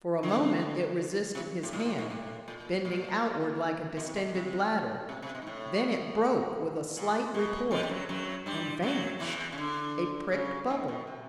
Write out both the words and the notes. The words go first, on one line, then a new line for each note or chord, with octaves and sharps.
For a moment it resisted his hand, bending outward like a distended bladder, then it broke with a slight report and vanished--a pricked bubble.
D3
C3
A2
A#2
A2
G#2
A2
A#2
A#2
B2
C3
B2
C3
C3
C3
B2
G#2
A2
A#2
B2
F2 F3
G3
F#2 F#3
F#2 F#3
G2 G3
F#2 F#3
E2 E3
C#3
D3
C#3
G#2
B2
C3